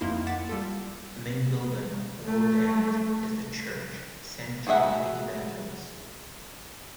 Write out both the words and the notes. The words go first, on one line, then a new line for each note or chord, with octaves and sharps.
A main building of Ford End is the church "Saint John the Evangelist".
F2 A#3 D#4 E4 C6
F#5 D6 A6 B6 E7
G3 F4 A4
A3
F#4 G#4 D5 E5 F#5